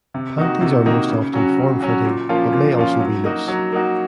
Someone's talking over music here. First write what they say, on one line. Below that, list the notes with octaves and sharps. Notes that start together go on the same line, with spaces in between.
Panties are most often form-fitting, but may also be loose.
C3
D#3 A#3 D#4 F#4
C3
D#3 A#3 D#4 F#4
C#3
F#3 C#4 F#4
C#3
F#3 C#4 F#4
A#2
F3 A#3 C#4 F4
A#2
F3 A#3 C#4 F4
F#3
A#3 D#4 F#4
F#3
A#3 D#4 F#4